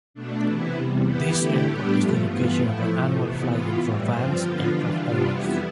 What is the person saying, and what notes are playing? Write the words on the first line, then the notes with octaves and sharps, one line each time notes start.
This airport is the location of an annual fly-in for Van's aircraft owners.
B2 A3 D4
C3 E3 B3 E4
E2 C3 G3
E3 B3 E4 G4
D3 A3 E4 G4
A2 G3 B3 D4 G4
G2 F3 A3
G2 E3 B3 F4
A2 F3 A3 E4
A2 F3 A3
F2 C3 E3 B3
E3 B3 F4
A2 E3 G3
G2 F3 C4 F4
D3 F3 B3 F4
E3 G3 D4 F4
C3 G3 B3 D4 F4
F2 E3 G3 B3 E4